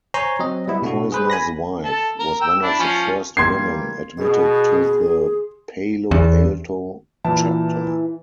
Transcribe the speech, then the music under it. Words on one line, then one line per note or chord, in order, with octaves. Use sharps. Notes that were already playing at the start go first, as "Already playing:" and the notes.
Poizner's wife was one of the first women admitted to the Palo Alto chapter.
C5 C#5 G#5 A#5 C6
F#3 C4 D#5
G3 B3 E4
B2 A3 D4 E4 F#4
G#4 B4 C5
G#5 B5 A#6
A4
A#4
G5 E6
D4 E4
F3 C#4
E3 G3 A#3 C6 G#6 C7
B2 G#4
E2
A#2 E3 E4 A5